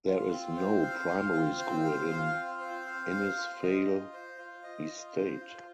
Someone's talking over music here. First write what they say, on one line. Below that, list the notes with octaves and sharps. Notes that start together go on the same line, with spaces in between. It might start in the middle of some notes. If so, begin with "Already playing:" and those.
There is no primary school in Innisfail Estate.
F4
C4
C5
F5
F4
C4
C5
F5
F4
C4
C5
F5
C5
F4
D#5
F4
C5
F4
D#5
F4
C5
F4